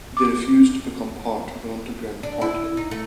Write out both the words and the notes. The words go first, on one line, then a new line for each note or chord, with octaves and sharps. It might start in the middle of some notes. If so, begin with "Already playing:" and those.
They refused to become part of an underground party.
D6
D4
E4
D#4
A3